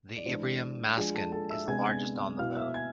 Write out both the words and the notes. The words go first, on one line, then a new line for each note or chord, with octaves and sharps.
The Imbrium mascon is the largest on the moon.
D5
E3 G#3 D4 C5
F3 G#3 D4 G#4 G#5
A4 A5
A4 A5
E5 E6
C3 G#3 B3 D4 G#5 G#6
G#5 G#6
B2 B3 E4 F5 F6
E5 E6
G#5 G#6